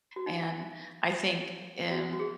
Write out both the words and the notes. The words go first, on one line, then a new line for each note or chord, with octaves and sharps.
and I think, um,
F#4
D#4
F#4
F#4
G#4